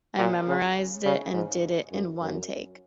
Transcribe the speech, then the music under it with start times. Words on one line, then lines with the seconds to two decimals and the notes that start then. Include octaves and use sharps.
I memorized it and did it in one take.
0.18 A#2
0.48 C#3
1.05 C#3
1.33 G#2
1.92 F#2
2.21 F#2